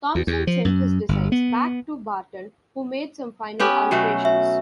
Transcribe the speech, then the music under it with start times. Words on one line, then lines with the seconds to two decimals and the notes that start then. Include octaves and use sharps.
Thomson sent his designs back to Barton, who made some final alterations.
0.15 E2
0.27 E2
0.47 F3
0.65 F#2
1.09 G1
1.32 B3
3.60 B3 C#4 G4
3.91 B2 F#3 A3
4.25 E5